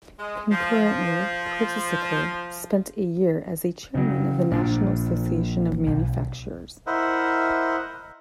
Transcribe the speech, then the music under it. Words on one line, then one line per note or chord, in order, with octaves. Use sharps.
Concurrently, Pritzker spent a year as Chairman of the National Association of Manufacturers.
G#3
F3
C#3 F#3
A#1 A#2 F3 D4
B1
E4 A#4 C5 D#5 E5 F#5